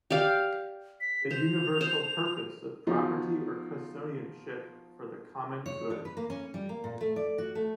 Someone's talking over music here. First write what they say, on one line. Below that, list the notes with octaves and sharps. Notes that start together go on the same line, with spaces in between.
The Universal Purpose of Property or Custodianship for the Common Good.
G4 D5 F5
B6
C5 F7
C5
F3 B3 D#4 F4 F#4
C#5
D4
B4
A#3
C#4
G3
A#3
A#2
A3
D5
F#4
A3